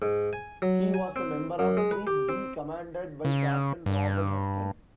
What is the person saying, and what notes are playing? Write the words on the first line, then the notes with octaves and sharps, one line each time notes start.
He was a member of Troop D commanded by Captain Robert Huston.
G#2
G#5
F#3
G#5
C4
F#2
G#3
B4
G4
C4
C#3
G2